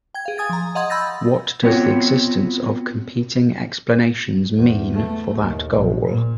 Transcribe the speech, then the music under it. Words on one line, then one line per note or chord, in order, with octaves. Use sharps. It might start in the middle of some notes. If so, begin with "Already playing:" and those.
What does the existence of competing explanations mean for that goal?
G5 G#6
G#4 F5
G#5 D#6 G#6 A6
F3 A#5
D#5 F5 F#5 C6 D#6 G#6
B5 E6 G6 A6 A#6
B3 C4 F4 F#4 C#5
E2
A3
D#2
A#1
A#2